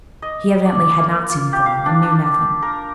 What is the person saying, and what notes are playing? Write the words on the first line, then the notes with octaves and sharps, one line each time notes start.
"He evidently had not seen Thorn, and knew nothing."
D#5
D5
A#3
F4
G4
F5
D4
D4
A#4